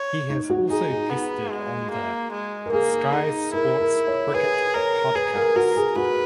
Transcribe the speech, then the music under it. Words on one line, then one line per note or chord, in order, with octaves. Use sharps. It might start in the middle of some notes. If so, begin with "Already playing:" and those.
He has also guested on the "Sky Sports Cricket Podcast".
Already playing: C#5
D#4
F#4
D#4 G#4
G#4
B3
G#3
A#3
G#3
A#4
A#3 G#4
D#4
E4 A#4
A#4
C#5
G#4 B4
A#4 C#5
G#4 B4
A#4
F#4 A#4
G#4
F#4 B4